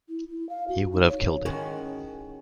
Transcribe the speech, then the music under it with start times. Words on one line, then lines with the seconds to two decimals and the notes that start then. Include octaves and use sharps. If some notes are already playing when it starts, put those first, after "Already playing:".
He would have killed it.
0.09 E4
0.28 E4
0.49 F5
0.68 F#4
0.92 D#4
1.08 C#5
1.46 A2 D#3 G#3 C#4 F#4